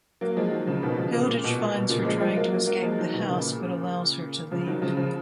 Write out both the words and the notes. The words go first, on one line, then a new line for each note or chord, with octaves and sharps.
Hilditch finds her trying to escape the house but allows her to leave.
F#3 A#3
F3 G#3
D#3 F#3
C#3 F3
B2 D#3
C#3 F3
A#2 C#3
A#2
B2
A#2
B2
A#2 C#3
F3 G#3
F3 G#3
F#3 A#3
F#3 A#3
F#3 A#3
F3 G#3
D#3 F#3
B2 D#3
A#2 C#3
C#3 F3
D#3 F#3
C#3 F3
C#3 F3